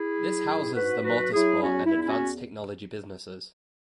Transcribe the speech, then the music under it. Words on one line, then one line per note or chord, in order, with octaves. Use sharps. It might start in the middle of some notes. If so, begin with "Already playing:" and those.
This houses the Motorsport and Advanced Technology businesses.
Already playing: E4 G#4
F#3
G#2
G#2 F#4 B4
F#3 F#4 B4
F#3 E4 G#4
E2 C#4 F#4
E4
E2
E4
C#4 F#4